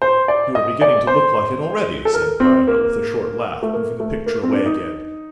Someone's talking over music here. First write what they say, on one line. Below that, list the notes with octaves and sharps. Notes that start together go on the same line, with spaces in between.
"You are beginning to look like it already," said Piero, with a short laugh, moving the picture away again.
C5
D5
D#5
D5
C5
A4
A#4
C4
A#3
A3
A#3
A3
A#3
C4
D4
D#4